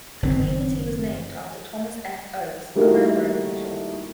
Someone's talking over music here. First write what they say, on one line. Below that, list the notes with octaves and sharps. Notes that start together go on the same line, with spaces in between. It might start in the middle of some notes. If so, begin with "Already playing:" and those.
The community was named after Thomas F. Oakes, a railroad official.
F#1 D#3 C4
G3 A3 A#3 D#4 E4 F#4